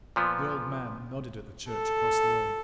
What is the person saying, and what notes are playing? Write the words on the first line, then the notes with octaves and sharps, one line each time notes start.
The old man nodded at the church across the way.
A#2 F3 B3
A4